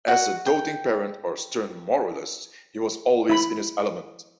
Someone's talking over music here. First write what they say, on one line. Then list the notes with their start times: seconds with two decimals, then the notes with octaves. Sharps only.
As a doting parent or stern moralist, he was always in his element.
0.08 F#4
0.46 G5
3.30 E4 B5